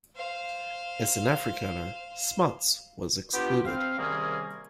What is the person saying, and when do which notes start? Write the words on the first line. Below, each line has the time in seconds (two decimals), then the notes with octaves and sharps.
As an Afrikaner, Smuts was excluded.
0.16 C5 F5
3.33 B3 D4 F4 G4
3.66 C4 F5
3.98 C3 D#3 G3 A#3 C#4 G#4